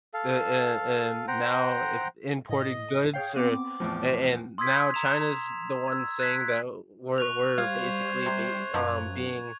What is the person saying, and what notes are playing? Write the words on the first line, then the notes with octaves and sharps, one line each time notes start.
uh, and and now if imported goods or and and now China's the one saying that, uh, "We're we're basically be um, being,
A4 F5
C5 F#5 G5 A#5
A2 D#5
G#4 C#5 F5 G5
B3 C4 D6
E2 A2 F3
C6 D#6 E6 G#6 B6
A#5 E7 F7
E6 G#6
F#6 G#6 B6
C#6 F#6 F7
G3 C5 F5 G#6
C3
F#2 F3 A#3